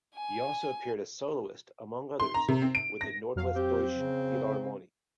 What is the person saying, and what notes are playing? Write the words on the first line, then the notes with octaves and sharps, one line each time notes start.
He also appeared as soloist among others with the Nordwestdeutsche Philharmonie.
G#5
C6
A#5
C3
C4
D7
A#6
F2 F#3 F5
C4 G4
C#3